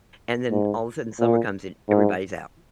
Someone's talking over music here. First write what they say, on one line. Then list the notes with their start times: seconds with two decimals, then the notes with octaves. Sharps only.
and then all of a sudden, summer comes in, everybody's out,
0.51 G#2
1.19 A#2
1.88 G#2